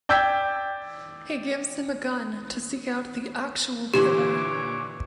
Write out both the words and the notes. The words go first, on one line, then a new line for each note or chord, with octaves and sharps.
He gives him a gun to seek out the actual killer.
D5 G5 E6 G6 G#6 B6
A#2 D3 E3 G4 C#5 G#5 D6